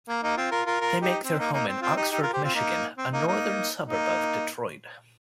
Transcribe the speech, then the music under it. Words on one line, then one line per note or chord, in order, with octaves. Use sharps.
They make their home in Oxford, Michigan, a northern suburb of Detroit.
A#3
A#3 D#4
C4 F4
F4 A#4
F4 A#4
F4 A#4
D#4 G4
C4
A#3 D#4
A#3 D#4
C4
C4 F4
D#4 G4
D#4 G4
F4 A#4
G4 C5
C4 F4
A#3 D#4
C4
A#3 D#4
A#3 D#4
A#3 D#4